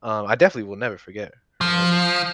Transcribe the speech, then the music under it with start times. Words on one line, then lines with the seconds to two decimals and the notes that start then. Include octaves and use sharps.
uh, I definitely will never forget her, ever,
1.61 F3